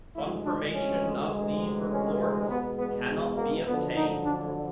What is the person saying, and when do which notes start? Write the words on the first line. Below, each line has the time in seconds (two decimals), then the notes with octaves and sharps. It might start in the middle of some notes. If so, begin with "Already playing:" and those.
Confirmation of these reports cannot be obtained.
0.16 D2 C3 E3 G#3 E4
0.45 D4
0.74 C#4
1.33 D2 C3 E3 G#3
1.91 C#4
2.50 E2 B2 G#3 B3
2.79 B3
3.37 A#3
3.67 F2 D3 F#3 B3
3.96 D#4
4.24 D4